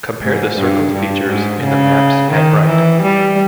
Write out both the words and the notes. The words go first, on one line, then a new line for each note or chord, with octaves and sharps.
Compare the circled features in the maps at right.
G#2
G2
G2
G#2
C#3
D#3
E3
G3